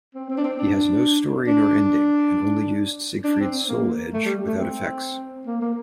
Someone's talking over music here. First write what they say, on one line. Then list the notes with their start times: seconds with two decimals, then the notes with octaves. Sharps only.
He has no story nor ending, and only used Siegfried's Soul Edge without effects.
0.15 C4
0.30 C4
0.38 D4
0.44 C4
0.59 D4
1.48 D4
3.24 D4
3.40 C4
3.69 A#3
4.14 A3
4.25 G3
4.36 G3
4.47 A3
4.58 C4
5.46 A#3
5.61 A#3